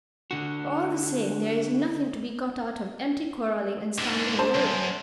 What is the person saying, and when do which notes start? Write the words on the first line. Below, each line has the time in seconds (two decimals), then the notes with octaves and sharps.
But, all the same, there is nothing to be got out of empty quarrelling and standing alone.
0.31 D3 F#4
3.98 G#2 D3
4.39 C5 A5
4.55 C#2 F#2